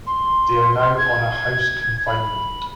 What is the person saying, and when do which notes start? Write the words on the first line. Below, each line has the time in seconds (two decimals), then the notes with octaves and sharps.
They are now on a house confinement.
0.07 C6
0.98 G#6
2.07 B5